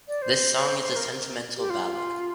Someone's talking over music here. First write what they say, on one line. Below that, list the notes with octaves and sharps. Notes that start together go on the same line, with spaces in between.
The song is a sentimental ballad.
D5
C5
C5
A#4
G4
F4